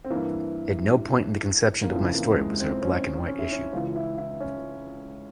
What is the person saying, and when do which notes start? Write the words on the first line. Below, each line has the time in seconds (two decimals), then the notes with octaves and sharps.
At no point in the conception of my story was there a black-white issue.
0.04 C4
0.10 G2 E3 A#3
1.84 A#3
1.91 F2 C#3 E3 C4
2.14 A#3
2.37 G#3
2.60 C4
2.82 C#4
3.28 C#4
3.39 E4
3.52 C#4
3.73 C#2 C#3 E3 F4
3.95 E4
4.18 E4
4.40 C#4